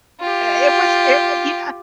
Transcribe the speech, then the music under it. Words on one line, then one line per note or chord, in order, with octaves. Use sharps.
Eh it was i you kn
F4 G4